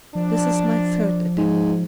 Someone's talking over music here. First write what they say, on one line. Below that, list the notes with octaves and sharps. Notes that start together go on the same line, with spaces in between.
This is my third attempt.
F3 D4
G#2